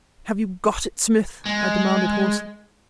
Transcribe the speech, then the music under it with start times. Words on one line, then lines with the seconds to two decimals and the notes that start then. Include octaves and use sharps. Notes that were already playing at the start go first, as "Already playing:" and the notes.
"Have you got it, Smith?" I demanded hoarsely.
1.46 G#3